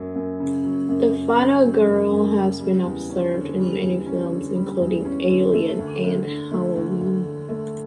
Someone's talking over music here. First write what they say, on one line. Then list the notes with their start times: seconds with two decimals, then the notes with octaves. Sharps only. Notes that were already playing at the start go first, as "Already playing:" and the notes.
The final girl has been observed in many films including "Alien" and "Halloween".
Already playing: F#2 F#3
0.15 F#2
0.40 C#3
0.64 F#3
0.89 F#2
1.13 F#2
1.37 C#3
1.62 F#3
1.86 F#2
2.11 F#2
2.35 C#3
2.60 G3
2.85 E2
3.10 C#4
3.34 D3
3.59 G3
3.82 E2
4.06 C#4
4.31 D3
4.56 G3
4.80 E2
5.05 C#4
5.29 D3
5.54 A3
5.79 D2
6.03 D2
6.27 D3
6.51 A3
6.75 D2
7.00 D2
7.25 D3
7.49 A3